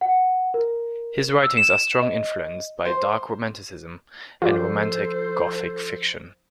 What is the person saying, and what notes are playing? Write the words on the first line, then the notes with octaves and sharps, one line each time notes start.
His writings are strong influenced by Dark Romanticism and Romantic gothic fiction.
F#5
A#4
E6
E7
D#5
C5
F3 F4 G4 A4 C5 D5